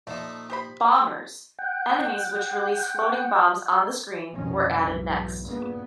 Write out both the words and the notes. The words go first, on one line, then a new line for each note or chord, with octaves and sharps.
"Bombers", enemies which release floating bombs on the screen, were added next.
A#2 F3 A3 D#4
G4 C5 B5
F#5 G5
F1 C2 B2 D#3 F3 C#4
B1 G#2 E3
G2 A#2 C#3 B3